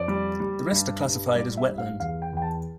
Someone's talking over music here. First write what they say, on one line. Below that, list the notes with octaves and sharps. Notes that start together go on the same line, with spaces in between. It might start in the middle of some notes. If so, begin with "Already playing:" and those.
The rest are classified as wetland.
Already playing: F2 D5
G3
G3
G2
G2
G3 D5
E5
G2
F5
E2 F5
G5
E2 G5
A5